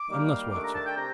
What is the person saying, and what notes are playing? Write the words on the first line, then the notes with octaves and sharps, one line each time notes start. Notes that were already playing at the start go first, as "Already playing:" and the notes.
"Unless what, sir?"
Already playing: D6
D#3 G3 A#3
D#3 A3 D4 D6
A#5
A5
G5
C3 A#5